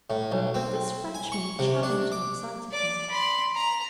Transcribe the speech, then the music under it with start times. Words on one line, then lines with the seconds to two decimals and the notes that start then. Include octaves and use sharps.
But this Frenchman challenged and excited him.
0.10 A2
0.32 B1
0.54 C4
1.15 G#5
1.32 C#6
1.59 C3
1.83 D4
2.12 D6
2.71 D5 D6
3.10 B5 C6
3.55 A#5